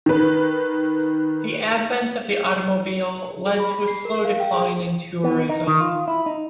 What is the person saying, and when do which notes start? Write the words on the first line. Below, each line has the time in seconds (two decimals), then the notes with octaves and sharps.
The advent of the automobile led to a slow decline in tourism.
0.06 D#3 B4
3.46 G#4
3.60 B5
3.74 G#4
3.88 C7
4.05 A#4
4.25 F5
4.40 G5
4.54 G#4
5.24 B3
5.49 D#4
5.67 D#3
5.80 F4
6.08 E4
6.26 D#4